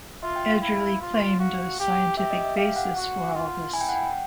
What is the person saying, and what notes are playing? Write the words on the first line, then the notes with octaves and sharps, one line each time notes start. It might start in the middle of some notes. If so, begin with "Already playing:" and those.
Edgerly claimed a scientific basis for all this.
F4 E5
G5
F5
E4
F4
F#4 F5
G4
G4 E5
D#5
E5
G4 F5
F#5
F#4 F#5
F4
E4 G#5
G5
F#5
G5